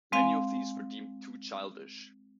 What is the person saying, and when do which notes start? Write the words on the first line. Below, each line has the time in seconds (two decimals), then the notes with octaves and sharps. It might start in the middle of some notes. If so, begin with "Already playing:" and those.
Many of these were deemed too childish.
0.12 G#3 C4 F5 G#5